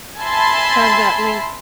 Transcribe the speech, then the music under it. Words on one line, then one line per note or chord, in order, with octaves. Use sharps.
have that link
E5 G#5 A5 B5 C6 E6